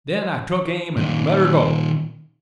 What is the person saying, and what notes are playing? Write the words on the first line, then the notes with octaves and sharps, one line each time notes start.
Then I took aim an' let her go.
A#2 D#3